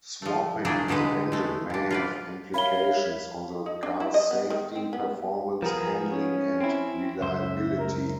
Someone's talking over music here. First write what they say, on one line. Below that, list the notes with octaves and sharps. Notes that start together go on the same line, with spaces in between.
Swapping the engine may have implications on the cars safety, performance, handling and reliability.
F3 A3
A#2 F#3 G3 A3 D4 G#4
B2 D3 G#3 D#4 B4
G#3 A3
A#2 D4
F4 B4 D5
A#4 C#5 E5 F5 B5 G7
D#4
D4
E4
D#5
B3
D#3
C4
B3
F3 B3 G#4 A#4
C#4
C4 E4
C#2 F#2 C5 E5
A#4